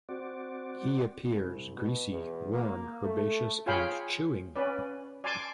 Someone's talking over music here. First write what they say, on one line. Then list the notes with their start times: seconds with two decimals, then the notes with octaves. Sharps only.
He appears: greasy, warm, herbaceous, and chewing.
0.09 C4 F#4 D5
1.30 C2
1.76 B2
2.10 E2
2.54 A#3
3.03 A3
3.66 F4 G#4 C#5 F5 G5 B5
4.56 C#4 B4 D5
5.24 D5 G#5 A5 C6 D6